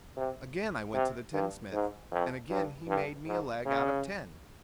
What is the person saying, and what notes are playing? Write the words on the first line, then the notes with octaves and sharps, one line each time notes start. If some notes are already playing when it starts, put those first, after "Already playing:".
Again I went to the tinsmith, and again he made me a leg out of tin.
C3
C3
G2
G#2
F2
G2
G2
G#2
C#3